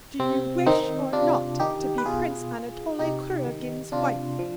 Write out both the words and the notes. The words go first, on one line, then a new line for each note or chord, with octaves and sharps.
Do you wish or not to be Prince Anatole Kuragin's wife?
C3 C4
D#3 C4 D#4
C3 D4 F4
D#3 D#4 G4
B4
B2 F4 G#4
C3 D#4 G4
D#3
C3 D4 F4
F3